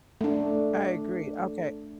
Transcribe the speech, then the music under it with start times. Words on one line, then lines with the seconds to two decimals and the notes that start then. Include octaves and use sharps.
I agree, okay.
0.21 A3 D4